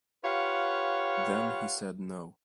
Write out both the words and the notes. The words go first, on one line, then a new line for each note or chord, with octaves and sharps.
Then he said no.
F4 G4 B4 C#5 F5 F#5